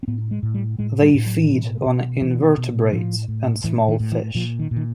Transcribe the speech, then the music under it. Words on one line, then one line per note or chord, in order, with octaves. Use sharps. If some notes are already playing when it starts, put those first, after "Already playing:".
They feed on invertebrates and small fish.
C4
A2 B3
G#3
A2
G3
A2 G#3
G3
A2
F#3
B2 E3
B2
B2 E3
B2
A2 F3
A2
A2 E3
D#3
A2
E3
A#2 F3
D#3
A#2
D#3